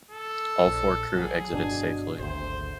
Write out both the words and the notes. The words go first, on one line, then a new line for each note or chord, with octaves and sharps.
All four crew exited safely.
A4
A#1
F#3 G#4
G1 B2 D4
G#1 D2 C5